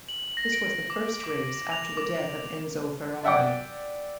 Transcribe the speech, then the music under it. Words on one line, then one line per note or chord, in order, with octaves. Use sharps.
This was the first race after the death of Enzo Ferrari.
F#7
A#6
D7
D6
D6
F7
D6
D5 E5 F#5 G5 D6